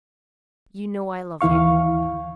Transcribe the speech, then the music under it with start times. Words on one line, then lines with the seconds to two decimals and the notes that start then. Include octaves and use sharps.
"You know I love you."
1.41 D#2 E3 E4 F5 C#6